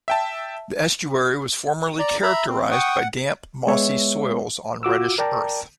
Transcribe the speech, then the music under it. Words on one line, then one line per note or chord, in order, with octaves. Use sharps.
The estuary was formerly characterised by damp mossy soils on reddish earth.
E5 G5 A5
D5 A#5
E5 A#5 B5
C4
F#5 G5 C#6 D#6
F#5
G#3 B3 C#5 E5
F4 F#4 D6 E6
A#4 D5 G5 A5 A#5